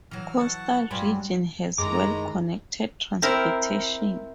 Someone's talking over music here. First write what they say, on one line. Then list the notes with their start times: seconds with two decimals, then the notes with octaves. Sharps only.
Coastal region has well-connected transportation.
0.11 E3 F#3 F6
0.39 F#5 A5 C#6
0.91 G2 F#3 G3 F4 G#5 B5
1.78 F#2 A2 D#3 G#3 A#5 D6
3.22 C4 E4 A#4